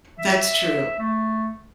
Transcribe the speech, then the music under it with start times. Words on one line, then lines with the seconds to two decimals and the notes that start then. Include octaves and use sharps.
That's true.
0.19 E5
0.99 A3